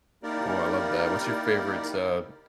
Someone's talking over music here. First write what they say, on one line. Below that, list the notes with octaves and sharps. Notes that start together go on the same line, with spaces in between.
Oh, I love that. What's your favorite, uh,
A#3 D#4 E4 G4 A#4 D5